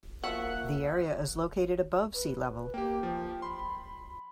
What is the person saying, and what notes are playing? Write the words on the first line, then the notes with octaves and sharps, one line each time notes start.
The area is located above sea level.
F3 A#3 F#4 E5 F#5 F#6
B4
A#3 G4 G5
F3
B5 C6